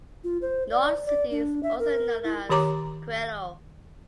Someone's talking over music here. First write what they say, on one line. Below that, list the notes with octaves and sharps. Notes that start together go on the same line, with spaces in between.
North City is also known as "Coello".
F4
C5
D5
D5
D4
E5
A#4
E4
D#3 G4 C#5 A#5 D6